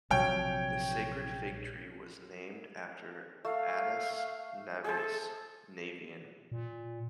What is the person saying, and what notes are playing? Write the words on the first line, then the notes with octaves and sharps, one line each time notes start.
The sacred fig-tree was named after Attius Navius: Navian.
A#1 C3 F#3 C#5 G5
A3 F5
G#4 A4 C5
A#2